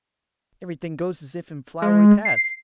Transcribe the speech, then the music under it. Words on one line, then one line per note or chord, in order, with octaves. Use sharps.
"Everything goes as if in flowery paths."
G#3
C7